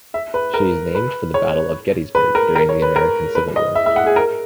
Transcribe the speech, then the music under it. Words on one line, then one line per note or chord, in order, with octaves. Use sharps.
She is named for the Battle of Gettysburg during the American Civil War.
E5
B4
A#4
B4
C#5
B4
A#4
A#4
C#5
B4
A#4
B4
D#5
E5
E5
F#5
G#4
A#4